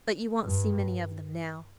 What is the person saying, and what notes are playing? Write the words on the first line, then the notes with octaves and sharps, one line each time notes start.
But you won't see many of them now.
G2